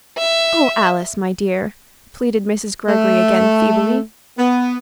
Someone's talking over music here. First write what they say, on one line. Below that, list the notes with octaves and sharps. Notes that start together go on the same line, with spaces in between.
"Oh, Alice, my dear," pleaded Mrs. Greggory again, feebly.
E5
A3
B3